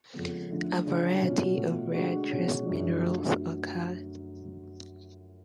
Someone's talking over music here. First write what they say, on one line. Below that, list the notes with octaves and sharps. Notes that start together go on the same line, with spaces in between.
A variety of rare trace minerals occur.
F2 C#3 F3 G#3 B3
D3 F3 A3
C#3 G#3 D4 F4
B2 F#3 C#4 F4
B2 A3 F4
D3 G#3 D4 F#4
B2 G#3 C#4 F#4
F#2 F3 G#3 D4 F#4
D3 F#3 A3 F4